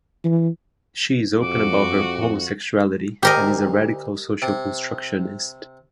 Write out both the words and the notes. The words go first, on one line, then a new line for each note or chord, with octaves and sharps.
She is open about her homosexuality, and is a radical social constructionist.
E3
F2 F#4 D6
D2 G4 A#4 C5 D#5 G#5
C3